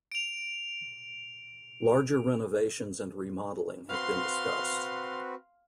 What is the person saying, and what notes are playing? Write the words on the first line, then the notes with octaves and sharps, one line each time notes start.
Larger renovations and remodeling have been discussed.
D7 F7
C4 F#4 B4 F5 C6